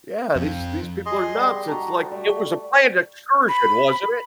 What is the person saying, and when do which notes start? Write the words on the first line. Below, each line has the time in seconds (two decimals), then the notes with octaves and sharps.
Yeah, these these people are nuts, it's, like, "It was a planned excursion, wasn't it?"
0.36 F2
1.06 G#4 D#5 C6
1.35 G3
1.68 F#4 A4 A#5
2.12 G3 A3
3.48 B5